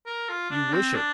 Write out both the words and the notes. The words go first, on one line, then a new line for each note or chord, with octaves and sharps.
You wish it.
A#4
F4
D4
C4
D4